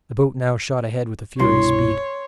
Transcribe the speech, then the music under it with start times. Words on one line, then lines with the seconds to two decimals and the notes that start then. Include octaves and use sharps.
The boat now shot ahead with furious speed.
1.39 C2 G2 B2 E4 C#5 C6